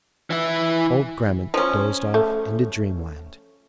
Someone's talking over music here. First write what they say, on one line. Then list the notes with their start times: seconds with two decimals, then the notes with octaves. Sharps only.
Old Grammont dozed off into dreamland.
0.30 E3 E4
1.54 F3 C#4
2.14 A3